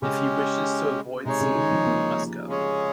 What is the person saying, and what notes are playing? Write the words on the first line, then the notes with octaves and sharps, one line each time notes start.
If he wishes to avoid seeing me, he must go.
C#3 G#3 C#4 G4
C3 G#3 D#4 G#4 C#5
C#3
D#3
F3
A#3
C#3 G#3 C#4 G#4 C#5